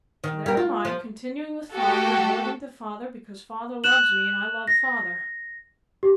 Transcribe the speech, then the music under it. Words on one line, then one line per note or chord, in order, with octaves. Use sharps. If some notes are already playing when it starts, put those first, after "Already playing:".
There am I, continuing with father and holding to father, because father loves me and I love father.
D#3
G3 A#4
F4
F3
A3 F#4 G4 A4
F#6 E7 F#7
A#6
G4